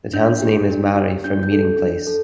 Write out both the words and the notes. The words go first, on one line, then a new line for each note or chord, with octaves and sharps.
The town's name is Maori for "meeting place".
D4 G6
G4
D4
G4
D4 G6
G6
A4
D4
A4